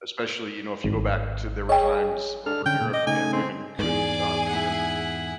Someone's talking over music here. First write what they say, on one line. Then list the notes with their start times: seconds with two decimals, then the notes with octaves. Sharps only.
Especially, you know, if you go back to there were times over in Europe, and women couldn't, um, even
0.84 G#1
1.69 G#4 C#5 D#5 G5
2.46 D4 A4 F6
2.66 D3 C#4 G5
2.81 A#2
2.94 D#5 D6
3.07 C#3 A3 D#4 G#5
3.33 C4
3.79 E2 G#2 G#4 D5 G#5
4.48 E4 F#5